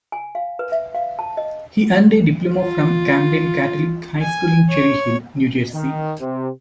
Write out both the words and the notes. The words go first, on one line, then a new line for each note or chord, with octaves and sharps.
He earned a diploma from Camden Catholic High School in Cherry Hill, New Jersey.
G#5
F5
B4
E5
F5
A5
D#5
F4
G#5
C#5
D#3
C3